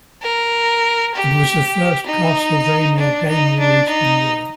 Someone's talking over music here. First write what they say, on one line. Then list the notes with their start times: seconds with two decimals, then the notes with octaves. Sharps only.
It was the first "Castlevania" game released in Europe.
0.23 A#4
1.15 G4
2.06 D#4
2.98 D4
3.28 D#4
3.59 D4
3.89 D#4